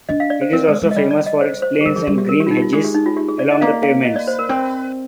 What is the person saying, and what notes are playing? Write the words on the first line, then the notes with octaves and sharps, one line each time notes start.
It is also famous for its planes and green hedges along the pavements.
D4 D#5
F5
D5
C5
C4 A#4
G#3
G#3
D#5
G3 D5
D5
D#5
C5
C5
G#4
G3 A#4
F3 G#4
G3 G4
G4
A#4
G4
F4
D#4
G4
F4
G#3 G#4
G4
D#4
F4
G4
G#4
D5
D#5
A#3 F5
F5
D#5
D5
C5
A#4
C4